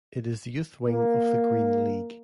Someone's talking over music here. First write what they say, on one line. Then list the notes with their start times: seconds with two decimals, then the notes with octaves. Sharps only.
It is the youth wing of the Green League.
0.86 A#3